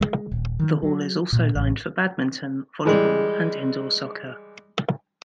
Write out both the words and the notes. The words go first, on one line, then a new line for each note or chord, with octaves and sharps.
The hall is also lined for badminton, volleyball and indoor soccer.
G#3
D#1
D#3
F#3
A#2
A1
E3 G3 G#3